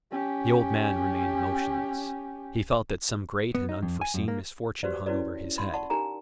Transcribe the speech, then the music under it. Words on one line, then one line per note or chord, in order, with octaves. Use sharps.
The old man remained motionless; he felt that some great and unforeseen misfortune hung over his head.
C#4 G4
B3
D#4
F2
G#5
F#2
A#3
F#4 G4 B4 C5 D5
C#4 E4 F#4 B4 C#5 D5
B5 C6
D5 F#5 A5 C#6
D#4 G4 A#4 G#5 A#5